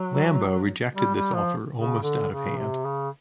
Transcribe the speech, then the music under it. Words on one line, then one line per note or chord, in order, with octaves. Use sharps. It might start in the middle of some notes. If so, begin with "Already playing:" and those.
Lambeau rejected this offer almost out of hand.
Already playing: F#3
G3
G3
F3
C#3
D3
C#3
C3
C#3